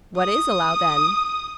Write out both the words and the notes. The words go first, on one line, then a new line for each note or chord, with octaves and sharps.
"What is allowed, then?"
D#6